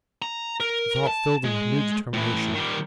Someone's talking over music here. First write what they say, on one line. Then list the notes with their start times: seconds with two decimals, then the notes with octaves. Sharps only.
The thought filled them with new determination.
0.22 A#5
0.60 A#4
1.07 A5
1.44 G#3
2.13 A2 E3
2.55 D#3 G3